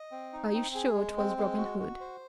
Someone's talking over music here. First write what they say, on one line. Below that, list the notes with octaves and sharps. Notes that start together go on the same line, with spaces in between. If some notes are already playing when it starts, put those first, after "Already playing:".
"Are you sure 'twas Robin Hood?"
Already playing: D#5
C4
D#4
C4
G#4
G#3
C4
G#3
F#4
F#4
C5